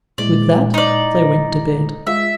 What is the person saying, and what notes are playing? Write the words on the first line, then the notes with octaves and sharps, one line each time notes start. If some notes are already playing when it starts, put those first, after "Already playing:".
With that they went to bed.
A#2 G#3 E4 D5
D#4 D5
G#3 F4 E5